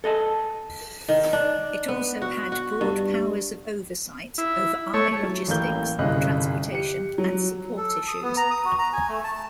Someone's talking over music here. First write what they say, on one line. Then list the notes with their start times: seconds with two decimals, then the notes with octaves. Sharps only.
It also had broad powers of oversight over Army logistics, transportation, and support issues.
0.04 A4 D#5 G#5 A5
1.09 D#3
1.33 D4
1.88 B3
2.22 F#4
2.52 F#4
2.81 G2
4.38 E4
4.94 A3 C#5
5.23 F#3
5.48 A1 A2 A#3 A#4 G6
5.99 G1 C2 C#3 D#5 F#6
6.71 G4 C#7
7.18 F#3
7.77 A4
8.08 D#6
8.23 B3
8.37 A#5
8.51 D#6
8.65 F#4
8.79 A#5
8.93 G#5
9.09 A3
9.24 A5
9.35 A5